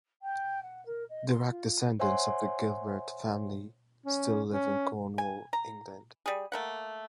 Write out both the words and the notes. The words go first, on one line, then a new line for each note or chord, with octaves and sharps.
Direct descendants of the Gilbert family still live in Cornwall, England.
G5
F#5
A#4
D#5
C6
F4
C5 C#5 E5 F#5 G#5 C6
C#4
C#4
G#5
A#5
G3 G#4
A3 A#3 F#5